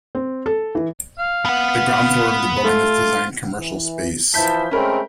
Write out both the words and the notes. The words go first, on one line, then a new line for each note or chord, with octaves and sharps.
The ground floor of the building is designed commercial space.
C4
A4
E3
F5
B3 F#5
A3 F4
E3
E3 F3 E4 A5 G6 B6
G#3 A3 C4 C#4 A#4 B5